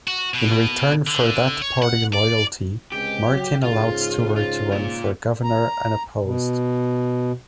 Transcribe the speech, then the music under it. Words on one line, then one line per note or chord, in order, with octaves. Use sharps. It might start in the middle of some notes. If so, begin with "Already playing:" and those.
In return for that party loyalty, Martin allowed Stuart to run for governor unopposed.
F#4
B2
D3
C#5
F#5
D5
C#2 C3 G#3 G4
F#3
G#2 C#3 F4
F4
A#2 F4
A#5
B2